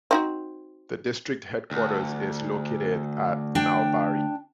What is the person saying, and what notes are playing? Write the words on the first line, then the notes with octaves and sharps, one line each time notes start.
The district headquarters is located at Nalbari.
C4 D#4 F#4
D2
D4 G5